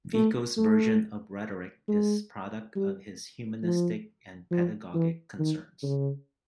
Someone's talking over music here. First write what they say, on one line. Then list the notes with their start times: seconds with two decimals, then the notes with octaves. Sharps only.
Vico's version of rhetoric is product of his humanistic and pedagogic concerns.
0.14 A3
0.57 A3
1.88 G#3
2.76 G3
3.63 F3
4.51 F3
4.94 E3
5.39 D#3
5.83 C#3